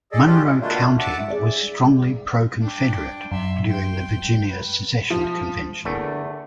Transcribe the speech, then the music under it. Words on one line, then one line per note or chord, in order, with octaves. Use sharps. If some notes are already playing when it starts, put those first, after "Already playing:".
Monroe County was strongly pro-Confederate during the Virginia Secession Convention.
G#4 A4 D5 D#5
C#4 D4 F4 G4
G#3 E4
B2 D3 A3 A#3 D4 F4
E5 F#5 A5 D6
G#4 D5 E5
D4 G5
F#2 E5 C6
G5 C6
B4
F3
E2 D3 A3 A#3